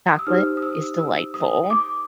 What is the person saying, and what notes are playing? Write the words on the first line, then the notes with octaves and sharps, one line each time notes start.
Chocolate is delightful.
D#6
E6
D#4 G4 C5 F6
D#6
E6
E6
D#6
D6